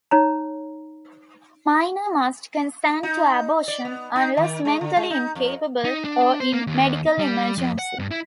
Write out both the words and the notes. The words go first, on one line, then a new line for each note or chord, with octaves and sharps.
Minor must consent to abortion unless mentally incapable or in medical emergency.
D#4 C#5 A#5
D#4
D5
B3
D#4
D#3
G#3
D3
G#3
D#4
F2
D#4
D4
C5
A#3
D#2
G3
F2
F#5
G2
E4